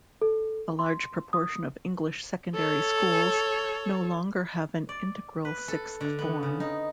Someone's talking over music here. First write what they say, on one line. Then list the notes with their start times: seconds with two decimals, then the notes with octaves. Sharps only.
A large proportion of English secondary schools no longer have an integral sixth form.
0.22 A4
0.79 C6
1.33 D#6
2.55 A4 C#5
4.89 D5
5.45 B4
5.68 A4
6.01 D3
6.19 B3
6.43 C#3
6.60 D#4